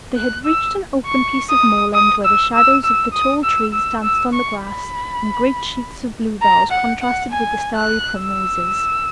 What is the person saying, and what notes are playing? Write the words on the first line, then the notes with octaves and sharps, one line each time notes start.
They had reached an open piece of moorland, where the shadows of the tall trees danced on the grass, and great sheets of bluebells contrasted with starry primroses.
F#6
E6
C#6
D#6
D#6
E6
E6
E6
D#6
E6
E6
E6
C#6
B5
A#5
F#5
F#5
G#5
F#6
E6